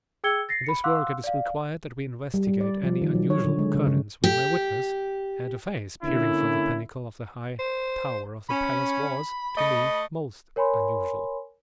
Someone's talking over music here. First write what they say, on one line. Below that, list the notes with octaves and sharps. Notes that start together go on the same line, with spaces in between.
In this work it is required that we investigate any unusual occurrence we may witness, and a face peering from the pinnacle of the high tower of the palace was, to me, most unusual.
G#4 G5 E6 G#6 C#7 G7
A6 A#6 C7
B5 C#7
F5 F#5 C6 D6 E6 F#6
D5 F5
G3
G3
D5
F3
D#3
F#3
C#5
D3
G#3
C#3
C#3
G4
D3 A#3 C#4 E4
C5
C#4 B5
A3 D#5
A#4 C#5 G#5 B5 C6